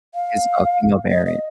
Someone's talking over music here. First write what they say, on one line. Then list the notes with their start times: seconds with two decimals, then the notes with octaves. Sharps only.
his, uh, female variant.
0.15 F5
1.11 D#5
1.26 D#5